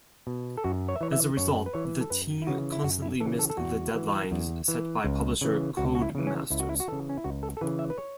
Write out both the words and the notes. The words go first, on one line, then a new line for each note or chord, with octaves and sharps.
As a result, the team constantly missed the deadlines set by publisher Codemasters.
B2
A4
F#2 F#4
C#5
E5
E3 C#5
E5
F#2 C#5
B4
E3 C#5
A4
F#2 B4
E4
C#3 E3 F#4
E4
F#2 F#4
E4
C#3 E3 A4
A4
A4
E2 F#4
E3
E2
E3
C#2
C#3 E3
C#2 F#4
F#4
E4
C#3 E3
C#4
C#2 E4
F#4
E4
F#4
C#3 E3 A4
C#4
E4
C#2 F#4
A4
A4
C#3 E3 B4
E5
B4
C#5